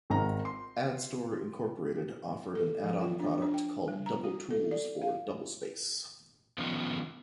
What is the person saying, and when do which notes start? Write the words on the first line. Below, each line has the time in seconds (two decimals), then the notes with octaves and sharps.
AddStor, Incorporated offered an add-on product called Double Tools for DoubleSpace.
0.10 G#1 D#3 A#5
0.45 C6
2.55 A4
2.83 F3
3.01 F4
3.20 D4
3.42 D4
3.54 G5
3.88 G3
4.06 A#5
4.24 F#4
4.51 A4
4.71 D5
5.02 F5
6.58 D#3 F3 B3 C#4 D#4